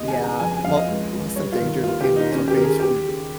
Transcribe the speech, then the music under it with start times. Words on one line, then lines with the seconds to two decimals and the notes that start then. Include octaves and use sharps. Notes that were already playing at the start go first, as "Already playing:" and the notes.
Yeah, mo most endangered animals are basically
Already playing: D#2 D#3 D#5
0.08 G#5
0.16 C#3
0.23 A#5
0.39 F2 G#5
0.51 G#5
0.64 F2 F5
0.76 D#5
0.88 C#2
1.12 C#2
1.36 G2 C#5
1.52 F4
1.60 D#3
1.84 D#2 F4
2.01 G4
2.08 D#3
2.16 D#4
2.32 D#2 C#4
2.48 G4
2.56 D#3 A#4
2.63 G#4
2.80 D#2 G4
3.05 C#3